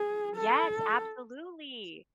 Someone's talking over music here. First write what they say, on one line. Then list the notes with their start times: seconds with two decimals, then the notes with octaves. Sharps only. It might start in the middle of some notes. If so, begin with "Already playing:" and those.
Yes, absolutely.
Already playing: G#4
0.36 A4